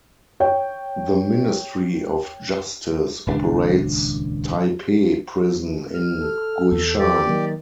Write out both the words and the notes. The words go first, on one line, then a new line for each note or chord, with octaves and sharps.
The Ministry of Justice operates Taipei Prison in Guishan.
C#5 G5
D#1 C#2 C#4 D4
F6
A4
E2 E3 B3
G4 D5
D#3 F#3 A#3